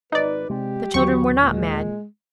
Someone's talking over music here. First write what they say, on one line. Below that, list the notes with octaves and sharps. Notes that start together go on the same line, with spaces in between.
The children were not mad.
G#1 D#4 B4 D5
C3 G#3 G4
D#2 D3 E3 F#3 C#6
A#2 G#3